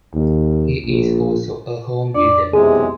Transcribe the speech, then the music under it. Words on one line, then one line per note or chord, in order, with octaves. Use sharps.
He is also a homebuilder.
D#2
A#1
F2 D4 D5
B1 E2 C3 G#3 G#4